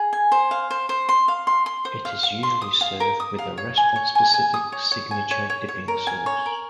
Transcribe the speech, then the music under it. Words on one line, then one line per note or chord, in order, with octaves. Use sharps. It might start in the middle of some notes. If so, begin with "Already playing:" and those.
It is usually served with a restaurant-specific signature dipping sauce.
Already playing: G#4
G#5
C5
F5
C5
C5
C6
F5
C6
C6
C5
F5
F5
C6
D#6
F5
A#4
D#6
F5
C#5
G#5
C#5
G#5
G#5
D#6
C#5
C#5
G#5
C#5
C#5
C#5
A#4
G#5
C#5
A#4